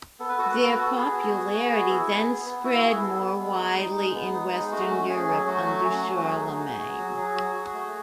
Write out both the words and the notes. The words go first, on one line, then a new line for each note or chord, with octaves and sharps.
Their popularity then spread more widely in western Europe under Charlemagne.
B3 A4
B4
F#4 A4
B4
B3 A4
B4
F#4 A4
F#4
B3 G#4
F#4
F#4
F#4
B3
E4
B3
B3
B3
E4 F#4
E4 G#4
B3 A4
B3
G#3
D#4
D#4
G#3
B3
D#4
G#3
A3 F#4
C#4
C#4 G#4
F#3
A3 F#4
F#3
C#4
A3
F#4
F#3 G#4
D#4
F#4
F#4
F#3
F#3
F#4
F#4
A3